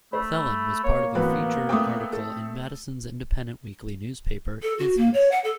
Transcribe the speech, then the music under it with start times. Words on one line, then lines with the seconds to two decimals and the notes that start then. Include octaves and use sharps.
Thelen was part of a feature article in Madison's independent weekly newspaper, "Isthmus".
0.13 A3 C5 B5
0.84 A#3 C#5
1.15 A1 B3 C4 F#4 B4
1.69 A3 C4 G5 D6 D#6
2.13 A4
4.63 A4
4.79 F#4
4.97 A#3
5.14 C#5
5.31 F#5
5.44 A4